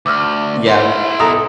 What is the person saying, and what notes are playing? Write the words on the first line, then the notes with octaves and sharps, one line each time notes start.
Yeah, wh
D2 D6 E6 F6
E4 C6
B1 A4 A#5 D#6